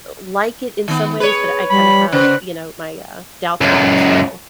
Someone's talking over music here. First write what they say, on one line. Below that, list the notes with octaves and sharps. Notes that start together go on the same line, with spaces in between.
like it in some ways, but I kinda have, you know, my, uh, doubts with it as well.
D#3 B3
G#4 B4 C#5
G3 B5
C#3 B4 C5
C#2 F#2